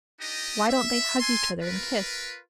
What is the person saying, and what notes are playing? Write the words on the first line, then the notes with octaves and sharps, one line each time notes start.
Why don't they hug each other and kiss?
D4 D#4 G4 D#5
E5
A4 G#5 C6
F4 A#4 B4